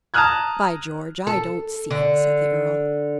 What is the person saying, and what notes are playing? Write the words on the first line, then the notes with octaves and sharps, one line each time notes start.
"By George, I don't see it," said the earl.
A5 A#5 D#6 F6 F#6 G#6
A4
D3